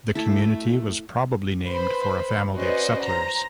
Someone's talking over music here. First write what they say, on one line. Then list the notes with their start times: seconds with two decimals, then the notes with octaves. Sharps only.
The community was probably named for a family of settlers.
0.15 A3 E4 A4
1.69 B4 C5 B5
2.56 C#4 F#4 B4 C5 D5 D#5
3.02 C5 A#5